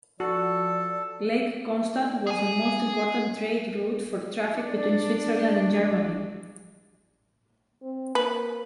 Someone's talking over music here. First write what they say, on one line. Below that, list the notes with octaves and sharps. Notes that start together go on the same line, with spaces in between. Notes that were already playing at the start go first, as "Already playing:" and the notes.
Lake Constance was the most important trade route for traffic between Switzerland and Germany.
F3 F#4 A4 D5 A5
G#4 G#5
D4 D5
C4
A#3 B4